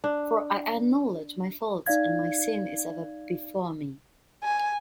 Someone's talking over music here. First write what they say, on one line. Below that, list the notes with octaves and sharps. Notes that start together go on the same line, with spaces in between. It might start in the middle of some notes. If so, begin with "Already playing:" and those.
For I acknowledge my faults: and my sin is ever before me.
D4
D#4 D5 F5 G#6
G#5